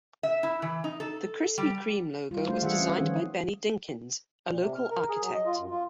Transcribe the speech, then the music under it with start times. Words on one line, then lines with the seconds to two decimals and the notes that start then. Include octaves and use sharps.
The Krispy Kreme logo was designed by Benny Dinkins, a local architect.
0.23 E5
0.43 E4
0.62 E3
0.84 D#4
1.00 A4
1.58 G3
2.31 G3 F4
2.47 A3 D4 F4 C5
2.62 E3 G3 F4 G#4 E5 F#5
2.80 C#4
2.98 D#3 F3 C#4 G#4
4.49 A#2
4.61 C3
4.75 F6
4.90 A#4
5.09 G#4
5.22 F#3
5.34 D#5
5.46 F4
5.58 F#2
5.71 F4